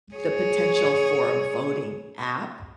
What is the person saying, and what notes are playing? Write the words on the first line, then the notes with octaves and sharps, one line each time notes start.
the potential for a voting app,
G#4 C#5